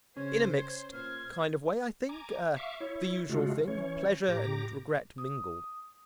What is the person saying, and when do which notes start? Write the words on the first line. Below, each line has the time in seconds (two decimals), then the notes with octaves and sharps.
"In a mixed kind of way, I think; the usual thing: pleasure and regret mingled."
0.17 C#3 C#4 C5 G#6
0.93 A#2 C5 F6 G#6
2.09 G#5 A#5 D6
2.56 E5 F5 C#6 D6
2.81 E4 C#5
3.30 C#3 G#3 A3 F4 F#4
3.68 E3 C#4 C#5
4.28 A2 G4 A#5 D6 A#6
5.18 D#6